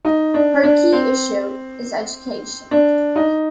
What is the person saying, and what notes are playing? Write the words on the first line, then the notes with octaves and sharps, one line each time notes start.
Her key issue is education.
D#4
D4
D4
C4
D4
D#4